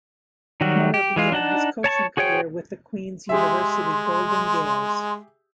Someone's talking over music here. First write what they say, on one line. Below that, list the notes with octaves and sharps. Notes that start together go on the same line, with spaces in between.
Muller began his coaching career with the Queen's University Golden Gaels.
D#3 F#3 G3 F#4
G4
E3 G#3 F4
D4 D#4 F#5 A5
C#5 A5 A#5 C#6
F#4 G#4 C5 C#5 G5
G#3 G4 G#4 E5 C6